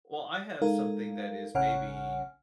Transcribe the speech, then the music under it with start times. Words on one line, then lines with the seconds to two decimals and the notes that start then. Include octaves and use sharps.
Well, I have something that is maybe,
0.62 G#3 D#4 A4 A#4 F5
1.55 A1 C#3 C#5 F#5 G#5 F6